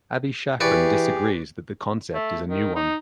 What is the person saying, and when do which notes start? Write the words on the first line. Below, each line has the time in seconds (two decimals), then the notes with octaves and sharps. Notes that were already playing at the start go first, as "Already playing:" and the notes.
Avi Shafran disagrees that the concept is a new one.
0.60 E3 G4 G#4 B4 C#5 D5
2.14 A3
2.49 D#3
2.75 D#4